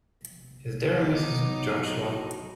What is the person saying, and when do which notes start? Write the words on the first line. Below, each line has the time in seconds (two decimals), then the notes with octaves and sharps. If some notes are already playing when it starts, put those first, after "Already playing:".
Is there a Mrs. Joshua?
0.96 B3 D#4 D6
1.47 F#3